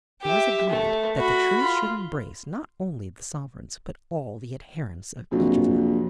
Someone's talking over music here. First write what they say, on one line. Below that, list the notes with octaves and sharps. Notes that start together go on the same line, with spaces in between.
It was agreed that the truce should embrace not only the sovereigns, but all the adherents of each of them.
G4 E5
A3
F#4 B5
F4
A#1 F2 C3 F#3